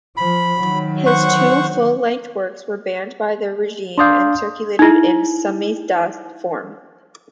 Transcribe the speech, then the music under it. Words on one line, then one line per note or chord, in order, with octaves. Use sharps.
His two full-length works were banned by the regime and circulated in "samizdat" form.
F3 B5
D#3 F#3
C5 F#5 C#6
D4 D5 F5 C6 D#6 G6
D#4 E4